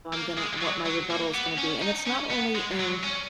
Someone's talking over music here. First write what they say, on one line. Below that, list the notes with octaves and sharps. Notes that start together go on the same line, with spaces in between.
I'm gonna what my rebuttal is gonna be, and it's not only in,
A#3
G#3
F#3
F#3
A#3
B3
C#4
D#4
C#4
B3
G#3
F#3
C#4